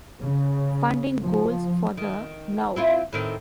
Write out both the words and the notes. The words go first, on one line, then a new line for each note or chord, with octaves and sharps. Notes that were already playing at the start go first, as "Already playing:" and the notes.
Funding goals for the Now!
C#3
F3
D#3
C4 E4 F4
A2 D#3 C4